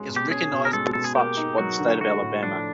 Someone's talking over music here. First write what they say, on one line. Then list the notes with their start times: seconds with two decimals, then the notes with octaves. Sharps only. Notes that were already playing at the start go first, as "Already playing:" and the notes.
He is recognized as such by the state of Alabama.
Already playing: G#3 C#4 F#4
0.09 B2
0.16 G4
0.31 C#4 G#4
0.52 B2
0.65 A#4
0.73 G#3 A4
0.93 B2 A4
1.04 G#4
1.15 A#3 G4
1.37 D#4
1.58 F#3 F#4
1.79 D3
2.01 A3 F#4
2.22 A2
2.43 F3 D4